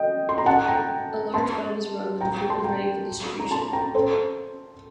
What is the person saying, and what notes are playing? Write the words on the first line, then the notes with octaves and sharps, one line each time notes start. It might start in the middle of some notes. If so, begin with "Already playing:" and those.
A large bell was rung when the food was ready for distribution.
Already playing: D#5 G5
C6
A#5
F#5 A5
G5 A#5
A5 C6
G5 A#5
A5 C6
G5 A#5
A#5
A5 C6
G5 A#5
A4 C5